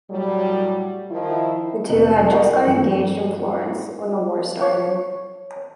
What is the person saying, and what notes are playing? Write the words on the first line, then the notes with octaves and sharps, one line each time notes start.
The two had just got engaged in Florence when the war started.
A2 F#3 G3
D#3 F3 E4
F1 B3 D#4 F#7
E4 A#4 D#5 F#5 G5 C#6
G2 F3 A3 C#7
C#5